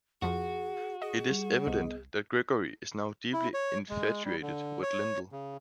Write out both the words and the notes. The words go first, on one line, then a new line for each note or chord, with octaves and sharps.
It is evident that Gregory is now deeply infatuated with Lyndall.
F2 F3 F#4 G#4
G#4 D#5
G3
C2 B3 D#5
E4
C#5
G#3
G3
D3
C#5
C#3